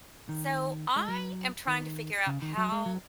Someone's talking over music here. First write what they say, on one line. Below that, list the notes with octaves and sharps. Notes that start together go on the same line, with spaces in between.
So, I am trying to figure out how
D#3
G#3
F#3
D#3
C#3
D#3
F#3
G#3
F#3